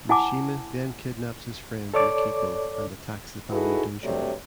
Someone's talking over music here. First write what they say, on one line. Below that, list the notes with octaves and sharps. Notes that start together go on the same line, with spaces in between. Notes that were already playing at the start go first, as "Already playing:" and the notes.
Mishima then kidnaps his friend Mikiko and attacks the family dojo.
E4 F#5 G#5 A5 D6
A4 C#5 D5 D6
D#4 E4 F#4 G#4 A4 B4
G2 C3 F#3 A3 C#5 D5